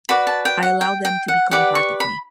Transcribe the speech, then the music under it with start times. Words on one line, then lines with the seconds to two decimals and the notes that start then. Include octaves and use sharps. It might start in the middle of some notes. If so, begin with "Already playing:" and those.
I allow them to become part of me.
0.09 F#4 B4 D5 B5
0.27 A5
0.45 G5
0.63 F#5
0.81 G5
1.05 G5
1.28 F#5
1.51 G4 B4 D5 F#5
1.75 C#6
2.00 B5